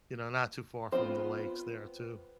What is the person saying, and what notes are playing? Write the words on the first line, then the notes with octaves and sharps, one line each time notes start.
you know, not too far from the lakes there too.
B3 C4 F4 C5